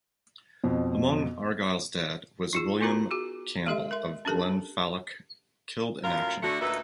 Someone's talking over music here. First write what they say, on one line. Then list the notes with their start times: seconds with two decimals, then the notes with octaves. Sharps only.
Among Argyll's dead was William Campbell of Glenfalloch killed in action.
0.64 F2 B2
2.53 D#4 F4 G#4
2.81 B3 D#4 F4 F#4 A#4 A#5
3.11 F#4 G#4
3.66 G#3 G4 A4 D#5 E5 C6
3.91 A#4 E5 C6
4.25 C#4 D4 G4 A4 A#4 A5
6.04 F#2 A2 F4 A#4 F5
6.43 D3 A3 F#4
6.61 D2 A#2 D#4 A4 B4 E5